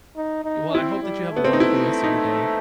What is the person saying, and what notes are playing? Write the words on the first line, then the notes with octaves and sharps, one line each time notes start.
Y well, I hope that you have a wonderful rest of your day.
D#4
D#4
C4 E4
G3
A3 B3
C4
D#4
E4
D#4